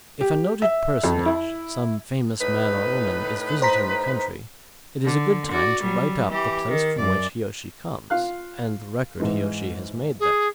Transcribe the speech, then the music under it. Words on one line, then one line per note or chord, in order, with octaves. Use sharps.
If a noted personage, some famous man or woman, is visiting the country, it is a good time to write up the place from which he or she comes and the record he or she has made there.
G4
E5
F2
E4
A2 D#4 B4
C5 A#5 B6
D3
F#4 D5
F#3 G3
E3 G4
D#3
F#2 D5
F4 F5 F#6
G#2 E3 G#3
G#4